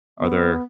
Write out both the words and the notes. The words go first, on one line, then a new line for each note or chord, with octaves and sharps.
are there
B3